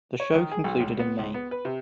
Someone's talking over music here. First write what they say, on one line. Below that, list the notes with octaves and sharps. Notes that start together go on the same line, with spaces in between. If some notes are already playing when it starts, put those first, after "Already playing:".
The show concluded in May.
C#5
D#3
G#4
B1
C#2
B3
C#2
B3
B4
C3